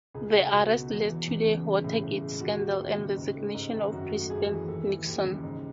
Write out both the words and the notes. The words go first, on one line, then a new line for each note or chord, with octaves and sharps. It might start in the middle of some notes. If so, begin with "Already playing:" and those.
The arrests led to the Watergate scandal and resignation of President Nixon.
C#2 G#4
A3
C#2 F#4
B2
E2
E3
E2
C#3
G#3
A2
A2
G#3
D#2 F#4
G#3
D#2
C#3
G#2
A3
G#2
D#3
F#2 F#4
A3
F#2 G#4
E3
D#2 A4
E3
D#2
C#3
G#2